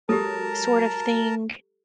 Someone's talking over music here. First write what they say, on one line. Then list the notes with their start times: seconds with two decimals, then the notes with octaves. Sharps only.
sort of thing
0.09 F#3 G#3 G4 A4 A#4 A5 A#5